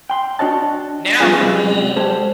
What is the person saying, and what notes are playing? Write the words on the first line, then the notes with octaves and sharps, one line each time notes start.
now the whole
G5 C6
D4 F#4 C#5 D#5 A5
F3 G3 B3 C#4 F4 G#4
F#2 C3 G3 G#3 E4
G#3 G4 A4 C5 C#5